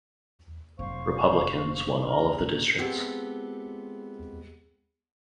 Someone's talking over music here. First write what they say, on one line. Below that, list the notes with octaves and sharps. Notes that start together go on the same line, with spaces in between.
Republicans won all of the districts.
F1 F#3 C5 F5 C#6
C#2 A#5 F6
A#2
G#3 B3 C4 F4 G4 A4